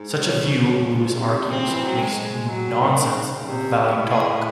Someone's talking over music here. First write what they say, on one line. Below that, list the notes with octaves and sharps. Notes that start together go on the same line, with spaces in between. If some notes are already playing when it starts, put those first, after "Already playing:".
Such a view, Lewis argues, makes nonsense of value talk.
Already playing: G#2
C#4
G#2
C3
C#3 C4
E3
F#3
G#3
G#3
F#3
D#3 C4
C#3
C3
A2
G#4